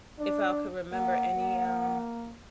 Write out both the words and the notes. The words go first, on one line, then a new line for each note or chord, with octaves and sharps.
if I could remember any, um,
D4
A#3 F#5
A#3